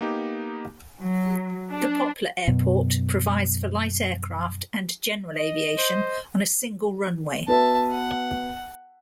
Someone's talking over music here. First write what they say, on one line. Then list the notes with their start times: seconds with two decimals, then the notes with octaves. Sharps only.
The Poplar airport provides for light aircraft and general aviation on a single runway.
0.01 A#3 B3 D#4 G4
1.01 F#3
1.71 D4
2.48 F#2 B2
5.33 D#5
5.78 C5
7.48 B3 F#4 B4 E5 A5
7.91 F#5